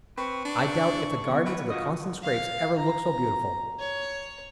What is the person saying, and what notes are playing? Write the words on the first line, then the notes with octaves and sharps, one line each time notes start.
I doubt if the gardens of the Constant-Scrappes ever looked so beautiful.
C4 B4 C#6
D4
E2 D3
F#3 B4
F4 F#4 D#5
F5
A#5
C#5